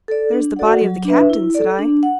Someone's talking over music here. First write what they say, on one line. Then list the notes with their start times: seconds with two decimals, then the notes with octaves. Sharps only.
"There is the body of the captain," said I.
0.08 A4 D5
0.33 D4
0.56 F#4 A4 D5 F#5
0.81 F#3
1.05 D4 B4 E5
1.30 E4
1.55 A4 D5
1.79 D4
2.03 F#5